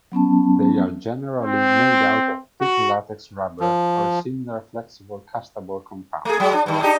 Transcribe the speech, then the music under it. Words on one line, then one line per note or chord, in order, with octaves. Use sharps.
They are generally made out of thick latex rubber or similar flexible castable compounds.
F#3 B3 C#4 A5
C4
F#4
F3
A3 G#4
F#3 G#3
D4
G2 D#3
D4 D#4 G4